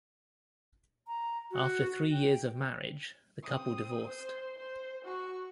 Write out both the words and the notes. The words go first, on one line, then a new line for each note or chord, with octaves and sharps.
After three years of marriage, the couple divorced.
A#5
F#4
G5
C4 D#6
C5
C5
F#4 C#6